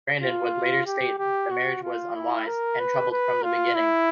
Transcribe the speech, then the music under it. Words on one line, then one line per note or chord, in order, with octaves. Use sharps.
Branden would later state the marriage was unwise, and troubled from the beginning.
F4
G4
G4
F#4
F4
E4
A#4
B4
B4
F4
E4